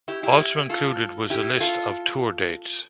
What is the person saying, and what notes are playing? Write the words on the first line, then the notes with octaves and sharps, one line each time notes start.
Also included was a list of tour dates.
E4 G4
E4 G4
F4 A4
E4 G4
F4 A4